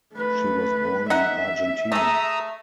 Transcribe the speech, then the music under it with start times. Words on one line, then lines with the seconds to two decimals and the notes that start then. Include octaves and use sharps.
She was born in Argentina.
0.16 A3 B4
1.10 D#4 E5 F#5
1.92 A3 G#4 A#5 D#6 E6